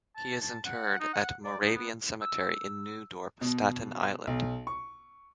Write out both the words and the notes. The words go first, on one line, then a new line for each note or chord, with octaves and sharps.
He is interred at Moravian Cemetery in New Dorp, Staten Island.
A5
A5
F#5
D#4
F#5
D5
D#4
B3
E6
B2
B1
C#6